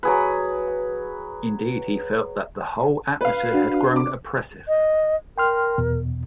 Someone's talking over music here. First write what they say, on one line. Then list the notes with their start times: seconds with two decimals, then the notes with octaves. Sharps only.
Indeed he felt that the whole atmosphere had grown oppressive.
0.03 F#3 G#4 B4
3.21 B4 F5
3.53 D4 F#4
3.96 D6
4.68 D#5
5.38 A#4 G5 C6 F6
5.78 E2 B2